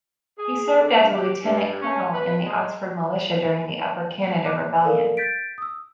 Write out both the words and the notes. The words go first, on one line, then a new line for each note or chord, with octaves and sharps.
He served as a lieutenant-colonel in the Oxford militia during the Upper Canada Rebellion.
G#4
D3
G4
G2
C#4
B4
G#3
D6 F#6
A4 A#4 D5 F5
G6 A6 B6 D7
D#6 E6